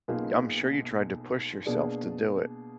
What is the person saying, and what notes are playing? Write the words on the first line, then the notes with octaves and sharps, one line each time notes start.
I'm sure you tried to push yourself to do it,
B1 B2 A#3 F4 G#4
B2 A#3 D4 G#4 D5